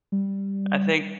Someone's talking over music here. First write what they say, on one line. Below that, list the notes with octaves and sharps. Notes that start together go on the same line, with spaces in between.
I think
G3